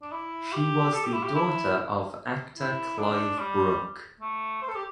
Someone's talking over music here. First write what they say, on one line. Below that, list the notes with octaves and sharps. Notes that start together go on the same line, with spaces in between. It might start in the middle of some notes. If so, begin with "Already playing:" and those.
She was the daughter of actor Clive Brook.
D4
E4
G4
A4
G4
E4
G4
E4
E4
D4
G3
A3
C5
A4
G4